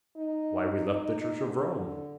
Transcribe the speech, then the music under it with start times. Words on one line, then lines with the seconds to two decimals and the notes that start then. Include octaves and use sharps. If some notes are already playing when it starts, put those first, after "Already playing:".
Why we left the church of Rome.
0.17 D#4
1.44 D3